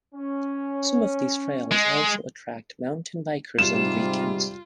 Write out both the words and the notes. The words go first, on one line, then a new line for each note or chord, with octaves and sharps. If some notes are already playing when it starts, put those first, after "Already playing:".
Some of these trails also attract mountain bikers on the weekends.
C#4
G#3
G#2 C3 G3 F4 E7